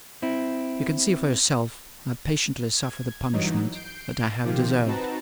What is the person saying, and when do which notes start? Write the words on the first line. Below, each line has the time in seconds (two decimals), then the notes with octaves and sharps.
"You can see for yourself--I patiently suffer the punishment that I have deserved."
0.22 C4 E4
2.76 G#6
3.33 G2 E3 F#3 D#4
3.74 G6 C7 D7
4.44 C3 D#3 F3 F4 G4
4.85 C4 D#4 F#4 B4 A5 A#5